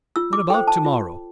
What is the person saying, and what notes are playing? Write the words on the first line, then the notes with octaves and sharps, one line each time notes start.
"What about to-morrow?"
F4 E6
D6
A4 C5 G5
A5
F4